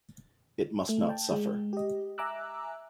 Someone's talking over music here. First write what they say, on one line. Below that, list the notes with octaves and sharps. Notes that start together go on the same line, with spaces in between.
It must not suffer.
A3
G5 A5
G#3
G4 D#5
E5 G#5 A#5 D6 E6 F#6